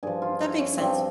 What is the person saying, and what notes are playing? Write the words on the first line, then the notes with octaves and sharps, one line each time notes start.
that makes sense.
G2 F3 G#4
F4
E4
C#4
G2 F3 C4